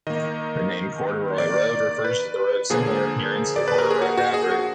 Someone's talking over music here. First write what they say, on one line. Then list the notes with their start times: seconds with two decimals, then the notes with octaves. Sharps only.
The name "corduroy road" refers to the road's similar appearance to corduroy fabric.
0.07 D#3 A#3 D#5
1.38 D5
2.04 B4
2.70 D3 F3 A#3 G#4
3.56 D5
3.68 B4
3.78 A#4
3.90 G#4
4.02 F#4
4.17 F#4
4.34 G#4
4.51 F#4